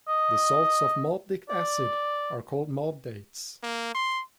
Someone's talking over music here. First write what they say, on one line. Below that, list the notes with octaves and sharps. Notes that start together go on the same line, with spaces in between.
The salts of molybdic acid are called molybdates.
D#5
D5
A#3
C6